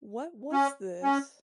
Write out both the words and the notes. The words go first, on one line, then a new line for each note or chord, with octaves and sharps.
What was this?
C#4
C#4